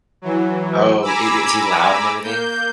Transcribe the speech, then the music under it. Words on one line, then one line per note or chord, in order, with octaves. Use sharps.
Oh, i is he loud and everything?
E3 F#3
G#5 A#5 B5 D6 E6
A#3 G6